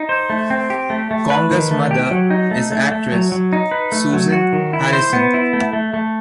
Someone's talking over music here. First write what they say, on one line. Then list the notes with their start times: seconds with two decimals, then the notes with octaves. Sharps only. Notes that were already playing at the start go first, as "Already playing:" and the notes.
Conger's mother is actress Susan Harrison.
Already playing: D#4
0.09 C5
0.30 A3
0.50 C4
0.70 G4
0.90 A3
1.11 A3
1.30 B4
1.51 D#3
1.71 A3
1.91 G4
2.11 F#3
2.30 D#4
2.51 A3
2.72 A3
2.92 A3
3.12 F#3
3.32 F#3
3.53 D#4
3.72 B4
3.92 A3
4.13 F#3
4.32 F#4
4.53 D#3
4.73 E4
4.93 C5
5.13 B3
5.34 E4
5.53 A3
5.73 A3
5.94 A3